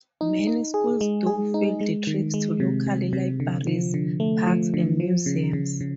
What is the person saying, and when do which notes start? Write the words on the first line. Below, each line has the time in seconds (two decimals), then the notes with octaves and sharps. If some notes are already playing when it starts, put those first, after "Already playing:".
Many schools do field trips to local libraries, parks, and museums.
0.21 D#4
0.47 D#4
0.74 G#4
1.01 G#3
1.27 G#4
1.54 D#4
1.81 G#3
2.07 D#3
2.34 G#3
2.60 C3
2.87 C3
3.13 C3
3.40 D3
3.67 F3
3.94 D3
4.20 A3
4.47 F3
4.74 D3
5.00 F3
5.26 C#3
5.53 C#3
5.81 C#3